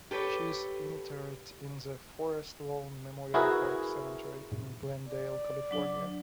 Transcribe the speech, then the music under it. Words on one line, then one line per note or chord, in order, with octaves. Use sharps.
She is interred in the Forest Lawn Memorial Park Cemetery in Glendale, California.
G4 A4 B4 C#5
E4 F#4 G#4 A#4 B4
D5
F#3 D4 D6